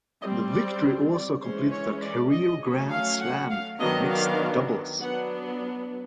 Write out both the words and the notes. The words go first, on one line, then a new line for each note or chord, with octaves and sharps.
The victory also completed a Career Grand Slam in mixed doubles.
G3 C4 D#5
D5
D5
E3 G#3 C#4 C5
C#5
D5
D#5
F#3 A3 C#4
F5
F#5
F5
D#3 F#3 B3 D4 D#5
F5
F#3 B3 D4 F#5